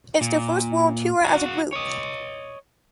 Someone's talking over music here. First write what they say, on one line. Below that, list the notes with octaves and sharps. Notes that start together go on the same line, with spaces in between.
It’s their first world tour as a group.
A#2
F#4 F5
C#5 D#5